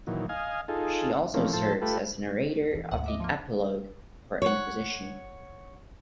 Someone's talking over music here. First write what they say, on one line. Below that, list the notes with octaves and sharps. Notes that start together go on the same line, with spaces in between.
She also serves as the narrator of the epilogue for "Inquisition".
A#2 D#3 E3 F#3
D#5 F5 G#5
D#4 F4 G#4 A4
E3 F3 A3 A#3 C4 C#4
A2 F3 A4 C5 A5
A3 F4 G4 A4 B4
D#2 E3
D2 G#2 F#5
D#5 E5 D6
F3 A#3
C#5 F#5